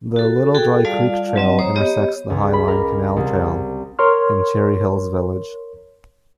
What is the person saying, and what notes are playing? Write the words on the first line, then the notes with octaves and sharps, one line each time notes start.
The Little Dry Creek Trail intersects the Highline Canal Trail in Cherry Hills Village.
F#4 A4
F#4 G#4 A4 G5
G3 F4 D5 F5 A5
F#3 C4 D#5
C5 C#5 A#5 D#6
B3 G4 C#5 D#5
C#2
B5
A#4
C2
A#4 C#5 C6 F6